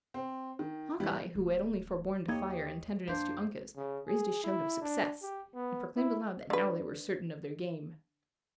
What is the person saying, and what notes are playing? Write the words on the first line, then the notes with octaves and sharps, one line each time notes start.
Hawkeye, who had only forborne to fire in tenderness to Uncas, raised a shout of success, and proclaimed aloud that now they were certain of their game.
C4
D#3
E3 G3
D1
D#2 A#3 D#4 G4 C#5 D#5 G#6
F#2 A#3 D4 C5
C#3
G#4
E4
D4
G4
B3
E4
D3 B4